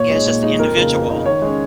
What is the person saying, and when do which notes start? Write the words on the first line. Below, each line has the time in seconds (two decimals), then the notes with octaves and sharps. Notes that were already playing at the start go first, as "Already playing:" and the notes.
Yeah, it's just the individual.
Already playing: A#2 C#5
0.10 G#3 D#4
0.26 A#2
0.42 G#3 D#4
0.59 F2 A#4
0.76 C#3 A#3 D#4
0.92 F2
1.09 C#3 A#3 D#4
1.25 D#3 C#5
1.42 G#3 C#4